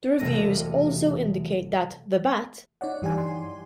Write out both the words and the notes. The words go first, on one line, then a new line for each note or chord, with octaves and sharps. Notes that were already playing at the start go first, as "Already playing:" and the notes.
The reviews also indicate that The Bat!
E1 C3 G3 A3 A#6 D#7
D#4 C#5 D5 F#5
G2 E3 G4 D5 G#5
C6